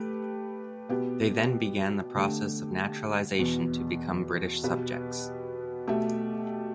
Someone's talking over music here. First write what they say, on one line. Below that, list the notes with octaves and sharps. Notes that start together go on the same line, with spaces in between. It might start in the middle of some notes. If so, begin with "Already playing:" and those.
They then began the process of naturalisation to become British subjects.
Already playing: A3 G4 B4
B2 B3 G4
D3 A3 G4
E2 B2 B3
B2 B3 G4 B4
B2 A3 G4 E5